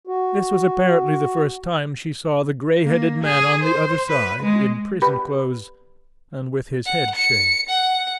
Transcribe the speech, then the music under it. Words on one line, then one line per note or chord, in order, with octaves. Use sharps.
This was apparently the first time she saw the greyheaded man on the other side in prison clothes, and with his head shaved.
F#4
A#3
G#4
C5
B4
G#3
G4 B4 B5
F#5
C#7
F#5